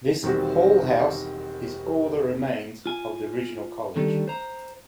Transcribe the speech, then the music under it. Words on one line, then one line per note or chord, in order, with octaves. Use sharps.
This hall-house is all that remains of the original College.
E1 D#3 G3 C4 F#4
F4 G#5
D3 D#3 G3 A3 A4
C5 A#5